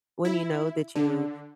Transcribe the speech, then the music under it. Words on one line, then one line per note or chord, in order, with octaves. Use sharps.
when you know that you
E4
D3